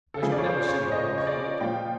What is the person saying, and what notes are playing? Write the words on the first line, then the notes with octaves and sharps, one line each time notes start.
I shall never see her after it.
A4
C#3 F3 G#4
D5
C#5
C5
C#5
D#5
C#5
D5
A#2 F3 G5